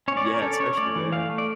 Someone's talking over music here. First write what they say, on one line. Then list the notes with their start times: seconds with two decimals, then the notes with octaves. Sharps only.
Yeah, especially there.
0.08 C#4 C#5
0.17 D5
0.25 C#4 C#5
0.34 A#4
0.42 C#4 A4
0.53 D5
0.60 C#4 C#5
0.77 A3 D5
0.95 E3
1.12 A3 F5
1.29 A3
1.38 D5